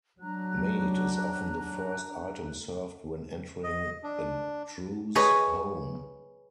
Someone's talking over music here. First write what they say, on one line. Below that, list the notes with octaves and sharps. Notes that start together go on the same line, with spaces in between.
Mate is often the first item served when entering a Druze home.
F#3 D4 A#5 F#6
D#5
D4
G#4 B4 C#5 D#5